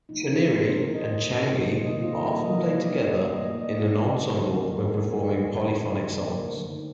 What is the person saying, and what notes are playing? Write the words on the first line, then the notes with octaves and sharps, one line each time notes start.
Chuniri and Changi are often played together in an ensemble when performing polyphonic songs.
A#2 F3 A3 D#4
D#4
F4
A#2 F3 A3 D#4
C5
D#3 A3 A#4
A4
D#5
D#3 A3
C3 D#3 A#3
C3 D#3 A#3 C5
D#5
D#3 G3 A#3 F4
A4
D#5
D#3 G3 A#3 D#5
F5
A#2 G3 A#3 D5
F5
D#5
A#2 G3 A#3 D5
D#5
A#2 A3 D5
D#5
A#2 A3 D5
F5
D3 F3 A3 D#5
D5
A#4
D3 F3 A3
D#3 G3 A#3 A#4
A4
D#3 G3 A#3 A4
A#4
C5
D3 A3 D5
D#5
D3 A3
C3 D#3 A#3
C3 D#3 A#3 D5
A#4
D3 A3 C5
A#4
D#4